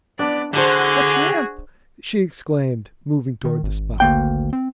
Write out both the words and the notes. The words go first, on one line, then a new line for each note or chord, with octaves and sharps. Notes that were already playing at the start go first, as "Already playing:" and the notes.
"A tramp!" she exclaimed, moving toward the spot.
B3 D4 D5
D3 D4 F#4 G#4 C5
D#3
G#1
D2 A#3 G5
C4